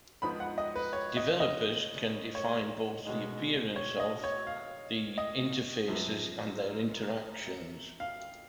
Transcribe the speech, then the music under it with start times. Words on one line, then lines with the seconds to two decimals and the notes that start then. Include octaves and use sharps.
Developers can define both the appearance of the interfaces and their interactions.
0.22 G#2 F3 B3 D#4 B5
0.40 F#5
0.58 D#5
0.76 B4
0.93 C#5
1.17 D#5
1.40 D#5
2.35 C#5
3.05 B2 G#3 D#4
3.76 C#5
4.00 D#5
4.24 C#5
4.47 F5
5.18 D#5
5.88 F#2 F3 B3
8.00 F5